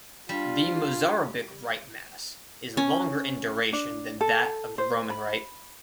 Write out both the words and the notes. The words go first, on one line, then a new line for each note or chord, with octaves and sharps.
The Mozarabic Rite Mass is longer in duration than that of the Roman Rite.
G3 D4 F4
C#4
D4
A4
C5
B5